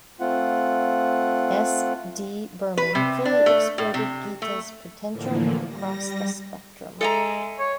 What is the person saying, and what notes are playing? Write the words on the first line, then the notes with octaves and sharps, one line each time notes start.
S D Burman fully exploited Geeta's potential across the spectrum.
A3 C4 F4 F#5
B4
C3
D4
A3
A2
C3
A3
A2 D3 E3 F3 A#3
G3 A#6
G#3 A4 E5 A#5
C#5